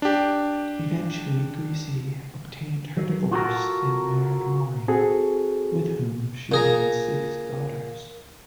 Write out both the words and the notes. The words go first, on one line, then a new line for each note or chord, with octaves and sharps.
Eventually, Grisi obtained her divorce and married Mario, with whom she had six daughters.
D4 G4
F#3
F4 F#4 A4 A#4
C4 F#4 G#4 A4
A#2 G#4 A#5